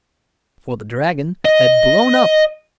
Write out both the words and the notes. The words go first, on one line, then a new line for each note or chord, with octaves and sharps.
For the dragon had blown up.
D#5